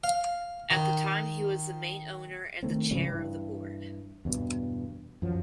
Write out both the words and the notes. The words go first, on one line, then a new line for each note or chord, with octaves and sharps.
At the time he was the main owner and the chair of the board.
F5
D#3
D#3 A3 C4
G#2 C#3 F3 G3
G2 E3
E2 G2 B2
F#2 F3 F#3